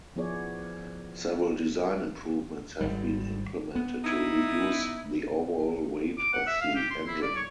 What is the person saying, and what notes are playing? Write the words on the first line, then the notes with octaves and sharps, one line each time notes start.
Several design improvements have been implemented to reduce the overall weight of the engine.
F3 B3 E4 G#4 C#5 D5
G#1 G3
B3
D#4 E4
D6
F#5
E5
F5
G4
C6
E4
D5
C#5